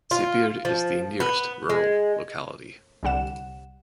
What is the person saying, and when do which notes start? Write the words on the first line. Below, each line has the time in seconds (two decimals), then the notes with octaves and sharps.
Sibir is the nearest rural locality.
0.11 F4
0.65 F3
1.20 B3
1.69 G#3
3.03 C2 D3 G3 F#5 E7